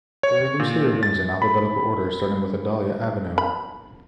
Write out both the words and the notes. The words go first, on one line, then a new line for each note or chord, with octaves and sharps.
They are loosely arranged in alphabetical order starting with Adalia Avenue.
C#5
A#2
A6
B5
B5